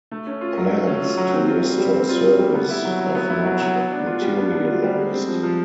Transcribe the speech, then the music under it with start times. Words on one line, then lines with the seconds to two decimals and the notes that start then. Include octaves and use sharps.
Plans to restore service have not materialized.
0.11 A3
0.27 C#4
0.41 F4
0.57 F#3
0.72 A3
0.87 C#4
1.03 F4
1.17 F#3
1.33 C4
1.48 F4
1.63 G3
1.78 G3
1.94 C4
2.09 F4
2.24 G3
2.39 G3
2.54 B3
2.70 E4
2.85 F#3
3.00 F#3
3.15 B3
3.30 E4
3.45 F#3
3.61 F#3
3.75 B3
3.91 D4
4.07 F4
4.22 G3
4.37 B3
4.52 D4
4.67 F4
4.82 G3
4.97 G#3
5.13 C4
5.28 F3
5.43 F3